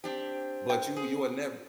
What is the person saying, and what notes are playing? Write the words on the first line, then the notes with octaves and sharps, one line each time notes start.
But you you are never
C4 D4 G4 C5
G5
G#4